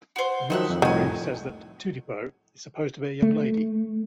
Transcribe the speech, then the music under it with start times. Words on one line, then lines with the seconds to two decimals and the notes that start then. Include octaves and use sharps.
Another story says that Tudipo is supposed to be a young lady.
0.16 F#4 C5
0.50 D#3 F3 F#3 D#4 E5 F#6
0.70 F2
0.82 C2 F2 A2 D#3 F#4 G#5
3.22 A3